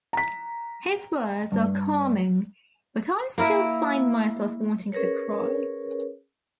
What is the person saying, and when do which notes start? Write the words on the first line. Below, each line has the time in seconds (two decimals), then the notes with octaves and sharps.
His words are calming, but I still find myself wanting to cry.
0.13 A#5 B6
1.52 G2
3.38 A#3 E4 A#4 E5
4.92 C#4 G#4 A#4 B4 C#5